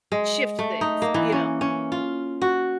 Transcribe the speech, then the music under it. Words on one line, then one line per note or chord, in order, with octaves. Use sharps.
shift things, you know,
G#3
A3
D#4
A#3
E3
C#4
C#4
F4
F#4